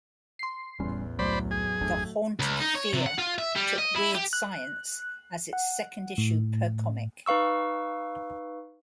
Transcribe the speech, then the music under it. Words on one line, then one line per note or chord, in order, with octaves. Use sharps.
"The Haunt of Fear" took "Weird Science" as its second issue per comic.
C6 C7
E1 A1 E2 G3 C#4
C2 F#3 A3 C5 D5 B5
G#4
G1 E2 A3 D4
C#2
D#4
C#5
C3
F#5
F4
E5
G3
D#5
E4
G4
F#6
F#5
A2
D#4 B4 F5 C#6 E6